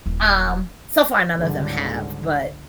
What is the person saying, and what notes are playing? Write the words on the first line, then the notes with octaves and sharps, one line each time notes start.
Um, so far, none of them have, but
D#1 E4
C#2 G#2 D3 G3